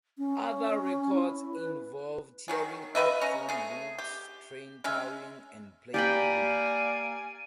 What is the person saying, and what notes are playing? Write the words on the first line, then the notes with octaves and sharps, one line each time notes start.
Other records involve tearing up phonebooks, train-towing and plane-pulling.
C#4
E4
B4
D#3 F#3 G#4
F3 B4 D#5 E5
C#4 A#5
A3 G#4
G4
G#3 C#4 E5
A#3 G4 D5 G5 G#5 B5